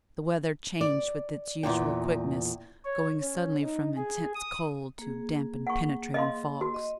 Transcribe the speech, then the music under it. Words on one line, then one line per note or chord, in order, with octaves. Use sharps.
The weather changed with its usual quickness, going suddenly from intense cold to damp and penetrating fogs.
D5
E2 G2 A#2 G5
C#5
C#4
D#4
G#4
D#6
A#3 G#4
F#5 C#6
D#5 F5 C6
F#4
D#5